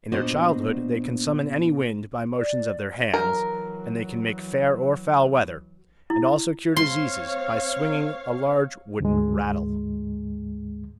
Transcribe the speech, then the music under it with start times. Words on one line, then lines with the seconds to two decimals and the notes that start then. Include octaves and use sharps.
In their childhood they can summon any wind by motions of their hands, and they can make fair or foul weather, and also cure diseases by swinging a large wooden rattle.
0.12 A#2 B3 D4 F#4 C5 D#5
2.37 D5
3.14 E3 F#3 A#4
6.10 E4
6.76 C4 C#5 F5 C6
9.00 D2 G#2 G#3